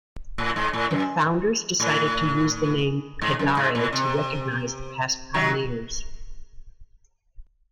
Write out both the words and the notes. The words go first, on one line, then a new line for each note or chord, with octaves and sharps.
The founders decided to use the name "Pedare" to recoginise the past pioneers.
A2
G#2
A2
F#2
A2
G#2
F#2
G#2
A2
C3
D#3 F#3